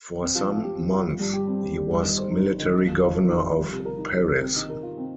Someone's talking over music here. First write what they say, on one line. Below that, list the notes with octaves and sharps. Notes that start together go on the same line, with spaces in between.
For some months he was military governor of Paris.
C4
F3
F3
G4
C4
F3
G3
G2
G4
C4
G3
G2
G3
D#3
C5
D#4
G3
D#3
D#4
F3
F3
A#4
D#4
F3
G3
C3
A#4
D#4
G3
C3
C4
D#3
A#4
F4
C4